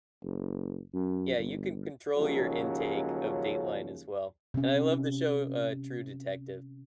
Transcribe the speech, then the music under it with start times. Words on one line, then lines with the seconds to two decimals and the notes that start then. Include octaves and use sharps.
Yeah, you can control your intake of Dateline as well, and I love the show, uh, True Detective.
0.24 F#1
0.94 F#2
1.37 G1
2.16 D#2 C#3 F3 F#3 G#3 C#4
4.54 C3 C#4